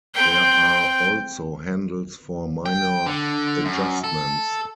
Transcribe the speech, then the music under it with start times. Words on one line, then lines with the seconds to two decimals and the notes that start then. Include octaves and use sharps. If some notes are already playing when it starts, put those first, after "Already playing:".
There are also handles for minor adjustments.
0.14 C4 G5
2.66 G5
3.06 D3
3.65 F#2
4.04 A4